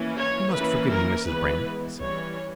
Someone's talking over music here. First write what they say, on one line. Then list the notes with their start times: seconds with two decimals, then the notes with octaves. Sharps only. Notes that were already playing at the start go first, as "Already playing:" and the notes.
"You must forgive me, Mrs. Brand," he said.
Already playing: E3 A#3 C#4
0.17 C#5
0.53 E3 A#3 C#4 B4
0.90 A#4
1.26 E3 G#3 B3 B4
1.99 E3 G3 C#4 C#5